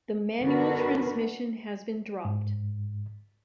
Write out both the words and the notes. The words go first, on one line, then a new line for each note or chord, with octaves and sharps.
The manual transmission has been dropped.
D3 B3 D4 F#4 A#4 B4
G#2